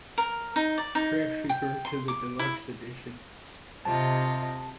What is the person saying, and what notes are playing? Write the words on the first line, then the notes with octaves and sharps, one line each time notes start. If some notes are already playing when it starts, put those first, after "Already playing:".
Tracks refer to the deluxe edition.
A#4
D#4
D5
D#4
G5
C6
D6
E4
C3 F4 D#5 A5